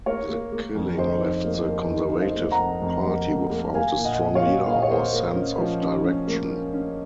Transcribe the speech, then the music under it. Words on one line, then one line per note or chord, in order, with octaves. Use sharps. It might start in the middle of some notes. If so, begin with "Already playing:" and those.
The killing left the Conservative Party without a strong leader or sense of direction.
A#3 A#4 C#5
A#3
A#3
F2
F2 C5 D#5
D#3
A#3
A#3
D#3
D#3
C5 D#5
A#3
F#5 A#5
F2
F2
A#3
F2
A#3
A#3 F5 G#5
A#2
D#5 F#5
A#2
C#5 F5
A#2
A#2 F5
D#5
C#5
A#3 C5 D#5
A#3
C#4
F3
C#4
C#4
A#3
C#4
C#4